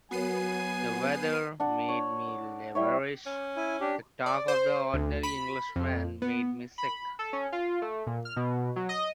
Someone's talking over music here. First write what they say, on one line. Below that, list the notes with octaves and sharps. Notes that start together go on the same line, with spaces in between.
The weather made me liverish, the talk of the ordinary Englishman made me sick.
F#3 B3 F#4 A#4 C#5 G#5 C7 D#7
D4 F#5
C#5
D6
G3 E4 C#5
C#4
E4 G#5
D4 G4
D5
C5
D2
B5
F2
B3
B5
A4
C#4
F4
A3
A#2
F6
B2
F#3
D#5